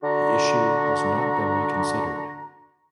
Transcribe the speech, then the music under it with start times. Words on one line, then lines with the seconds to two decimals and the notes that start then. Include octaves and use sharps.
The issue has not been reconsidered.
0.03 D3 F#4 A#5